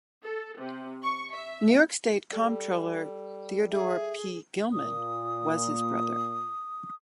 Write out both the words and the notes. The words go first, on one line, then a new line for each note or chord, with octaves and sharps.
New York State Comptroller Theodore P. Gilman was his brother.
A4
C3
C#6
E5
G3 A4
G#4 E5
A#2 D#6